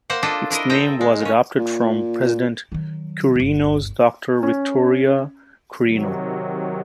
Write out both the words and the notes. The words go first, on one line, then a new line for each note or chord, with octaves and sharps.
Its name was adopted from President Quirino's daughter Victoria Quirino.
A#3 C5 F#5
D4 F4 A4 D#5
D4 E4 A#4 D#5
C4 A4 D#5 G5 A#5
G#3
A#2 C#4
A#2
D#3 F#3
G1 D2
C#4
C3 D#3 F#3